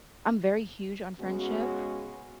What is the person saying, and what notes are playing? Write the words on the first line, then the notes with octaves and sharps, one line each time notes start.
I'm very huge on friendship,
C#3 G#3 B3 C#4 F#4